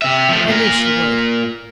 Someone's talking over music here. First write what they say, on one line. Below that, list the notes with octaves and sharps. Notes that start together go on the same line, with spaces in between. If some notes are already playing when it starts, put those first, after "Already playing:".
I knew she would.
C3 E5
F3 A3
A#2 A#4